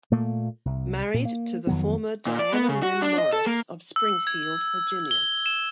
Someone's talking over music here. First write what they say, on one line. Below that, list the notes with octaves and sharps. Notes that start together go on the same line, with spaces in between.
Married to the former Diana Lynn Morris of Springfield, Virginia.
A#2 A3 A#3
C2
A#2
A#3
F2 D#3 F#3 B3
A#2
D5
B3
C#3
F#4
D4
D#5
A4
A#3
E6
G#6
G7
E7